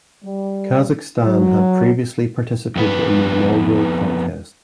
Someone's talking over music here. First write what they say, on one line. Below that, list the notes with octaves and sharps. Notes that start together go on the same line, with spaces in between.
Kazakhstan had previously participated in the inaugural contest.
G3
F#3
F2 B3 B4